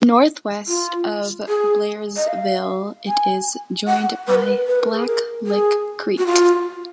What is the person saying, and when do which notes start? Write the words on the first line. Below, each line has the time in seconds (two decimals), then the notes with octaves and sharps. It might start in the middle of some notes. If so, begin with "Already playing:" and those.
Northwest of Blairsville it is joined by Blacklick Creek.
0.68 F4
1.48 G#4
2.17 D#5
2.27 F5
3.08 G#5
3.87 F#5
4.27 B4
4.35 A#4
4.43 B4
4.67 B4
4.80 A#4
4.93 G#4
5.07 A#4
5.47 G#4
6.18 F#4
6.27 F4